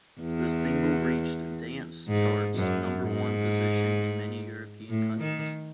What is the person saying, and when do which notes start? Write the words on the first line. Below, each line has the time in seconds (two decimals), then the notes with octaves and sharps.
The single reached dance charts' number one position in many European countries.
0.21 E2
2.08 G#2
2.55 F#2
3.03 G#2
4.89 A2
5.21 D#3